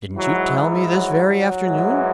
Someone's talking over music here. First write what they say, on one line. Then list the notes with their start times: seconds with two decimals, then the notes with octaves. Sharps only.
"Didn't you tell me this very afternoon?"
0.16 G#2 E3 F#3
0.90 F#3
1.27 F#3
1.64 G#2 E3